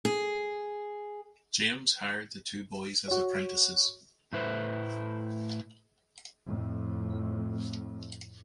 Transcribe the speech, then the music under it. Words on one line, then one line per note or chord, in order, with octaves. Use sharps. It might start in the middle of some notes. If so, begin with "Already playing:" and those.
James hired the two boys as apprentices.
G#4
F#4 C#5
A2 A3 E4 B4 C5
F2 A2